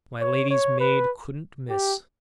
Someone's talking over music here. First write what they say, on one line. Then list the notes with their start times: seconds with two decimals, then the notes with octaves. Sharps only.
My lady's maid couldn't miss.
0.21 C#5
0.50 C#5
0.80 B4
1.69 G4